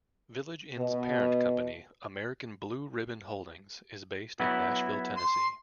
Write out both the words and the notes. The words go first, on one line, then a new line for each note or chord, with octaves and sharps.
Village Inn's parent company, American Blue Ribbon Holdings, is based in Nashville, Tennessee.
B2
F#3 B3 E4
C6